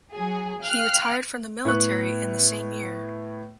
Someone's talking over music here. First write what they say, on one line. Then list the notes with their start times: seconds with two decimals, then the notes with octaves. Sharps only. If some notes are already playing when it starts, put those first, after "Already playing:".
He retired from the military in the same year.
0.13 F#3 G#4
0.61 F5 G5 F6 F#6
1.65 A2 B3 C#6 F#6